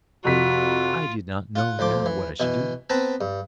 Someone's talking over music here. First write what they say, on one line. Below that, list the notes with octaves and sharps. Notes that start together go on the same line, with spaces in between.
I did not know now what I should do.
F2 C3 F4 F#4 B6
F4 F#5
D2 F3 C6 D6
E3
B2 E3
B3 C4 B4 A5 A#5
G2